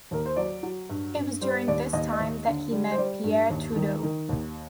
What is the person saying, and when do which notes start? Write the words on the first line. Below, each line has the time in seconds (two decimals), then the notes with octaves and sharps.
It was during this time that he met Pierre Trudeau.
0.11 D#2 A#4
0.25 C5
0.36 F#3 D5
0.63 F#3
0.90 G2
1.15 G2
1.41 G3 C5
1.68 D#2 D5
1.93 D#2 D#5
2.13 D#5
2.20 D#2
2.46 D3
2.72 G3
2.91 C5
2.98 G3 D5
3.24 G2
3.50 D#2
3.76 D#3
4.03 D#3
4.29 D#2